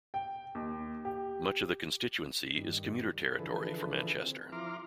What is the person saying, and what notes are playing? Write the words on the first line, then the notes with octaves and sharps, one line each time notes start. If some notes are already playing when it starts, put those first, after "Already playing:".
Much of the constituency is commuter territory for Manchester.
G5
D#2
G4
G2 D#3
D3 E3 F3 G#4 A4 B4
C4
F3 E4 A#5 C6 D6 F6